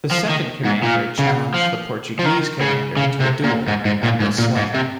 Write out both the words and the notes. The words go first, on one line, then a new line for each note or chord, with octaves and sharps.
The second commander challenged the Portuguese commander to a duel and was slain.
F3
D#3
G#2
A#2
C#3
F3
F3
D#3
C#3
C#3
C3
A#2
G#2
G#2
A#2
G#2
A#2
G#2
C3